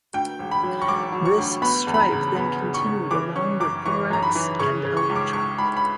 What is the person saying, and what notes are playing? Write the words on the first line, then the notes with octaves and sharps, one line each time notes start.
This stripe then continued along the thorax and elytra.
D2 G5
E1
B5
F#3
C#6
E1 D6
F#3
C#6
D2
B3 B5
E2
B5
A#5
C#3
B3 B5
C#3
C#6
C#3
E3 D6
C#4 C#6
F#2 D6
E3 C#6
F#2 A#5
B5
E3
C#3 C#6
C#3
C#6
C#2
D6
C#2 C#6
C#2 B5
B5